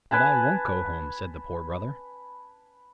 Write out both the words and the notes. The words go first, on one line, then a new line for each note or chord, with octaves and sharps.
"But I won't go home," said the Poor Brother.
B4 G#5 A5 B5